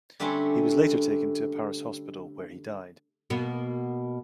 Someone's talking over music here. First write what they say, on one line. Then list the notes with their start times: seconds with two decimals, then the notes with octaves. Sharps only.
He was later taken to a Paris hospital, where he died.
0.20 D3 G3 A3 C4 C#4 C5
3.30 B2 A#3 B3